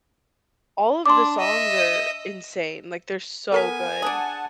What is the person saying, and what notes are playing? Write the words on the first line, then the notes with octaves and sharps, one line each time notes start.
all of the songs are insane, like, they're so good.
D4 C6 D6
D#5 E5
B3 A4 A#4 G#5 B6
D4 G#4 F#5 A5